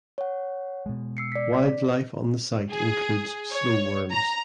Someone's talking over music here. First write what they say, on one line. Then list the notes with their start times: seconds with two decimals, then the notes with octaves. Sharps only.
Wildlife on the site includes slow worms.
0.18 C#5 F#5
0.86 B2 G#3
1.17 E6 C7 C#7
1.32 D5 B6
2.70 G#4
3.50 C#5
4.14 A#5